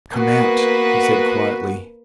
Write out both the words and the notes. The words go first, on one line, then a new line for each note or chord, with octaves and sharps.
"Come out," he said quietly.
A#3 B3 F#4 B4